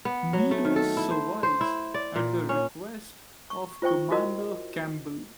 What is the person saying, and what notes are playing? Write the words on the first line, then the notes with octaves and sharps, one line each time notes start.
Meadows survives at the request of Commander Campbell.
B3
F#3
A3
D#3
A4
E4
C5
C5
E4
D5
A#2
C#4
C#6
F4 C5 E5 G5 C#6
E4 F#4 A#4 D#5